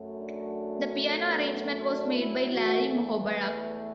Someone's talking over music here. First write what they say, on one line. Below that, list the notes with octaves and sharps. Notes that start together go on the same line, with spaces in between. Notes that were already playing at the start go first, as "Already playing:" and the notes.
The piano arrangement was made by Larry Muhoberac.
Already playing: F#2 F#3 A3
D4
B3
D4
E4
E2 E3 A3 F#4
A4
B4